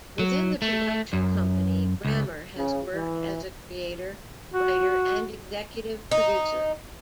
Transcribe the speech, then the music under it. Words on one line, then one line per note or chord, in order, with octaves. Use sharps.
Within the production company, Grammer has worked as a creator, writer, and executive producer.
F#3
A3
F#2
C#2
C#3
E3
F#4
D#4